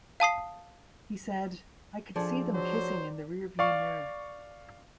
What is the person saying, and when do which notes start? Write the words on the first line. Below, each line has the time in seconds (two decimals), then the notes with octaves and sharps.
He said, I could see them kissing in the rear-view mirror.
0.20 F5 A5 D#6 C7
2.16 F3 D4 G#4 A4
2.54 F#3 C5
3.59 D5 F5 C#6